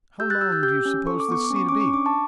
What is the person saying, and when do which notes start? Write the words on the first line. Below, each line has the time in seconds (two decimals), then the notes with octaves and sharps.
"How long do you suppose this sea to be?"
0.20 G4 E6 G6
0.30 F#6 A6
0.41 G4 E6 G6
0.52 E6 G6
0.63 G4 E6 G6
0.85 C#4
1.06 A4 C#6
1.20 D6
1.29 B3 C#6
1.44 D6
1.50 C#4
1.56 C#6
1.69 C#4 D6
1.81 C#6
1.93 D4 D6
2.06 A5 C#6